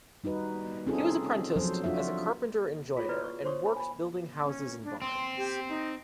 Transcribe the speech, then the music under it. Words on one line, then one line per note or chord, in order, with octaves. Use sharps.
He was apprenticed as a carpenter and joiner, and worked building houses and barns.
G3 D#4 F#4 B4
C4 C#4 D#4 F4 G#4 A4
F3 F#3 A4 C5
D4 F4 F#4 E5
F4 G#4 A4 C#5
E4 F#4 A4 B4 D5
C#6
C5 C#5 C6 C#6 D#6
D4 B5
G#5 B5
C#4
D4
C4 C6
G4
D#4